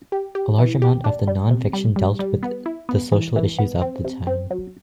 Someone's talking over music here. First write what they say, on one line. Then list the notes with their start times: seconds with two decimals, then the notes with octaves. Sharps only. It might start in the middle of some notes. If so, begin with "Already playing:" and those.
A large amount of the non-fiction dealt with the social issues of the time.
0.12 G4
0.35 G4
0.58 E3
0.82 G4
1.04 D4
1.27 G3
1.51 C3
1.73 G3
1.96 G3
2.19 G3
2.43 B3
2.66 E4
2.89 B3
3.12 E3
3.36 E3
3.59 B3
3.82 C4
4.04 C3
4.27 C4
4.50 F#3